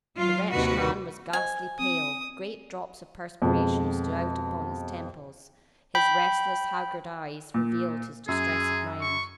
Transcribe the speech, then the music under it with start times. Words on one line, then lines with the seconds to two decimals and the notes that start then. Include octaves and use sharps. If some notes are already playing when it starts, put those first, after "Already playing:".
The wretched man was ghastly pale, great drops of perspiration stood out upon his temples, his restless, haggard eyes revealed his distress of mind.
0.16 F#3 F4 F5
0.51 D#2 C3 D#3 F#4 B4
1.33 C5 D#5 G#5
1.79 C4 D#6
3.42 F2 B2 G#3
5.95 G5 B5 G6 B6
7.54 A#2
8.28 F#2 G#4
9.01 C#6